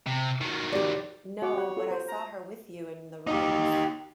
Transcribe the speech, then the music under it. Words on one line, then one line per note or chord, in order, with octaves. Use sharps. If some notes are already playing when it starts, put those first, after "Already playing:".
No; but I saw her with you in the rooms.
C3
D#3 F#3
G4 D5
F#4 C#5 F#5 D6
G4 F#5
F4 A4
C5
A#5
D#4 G4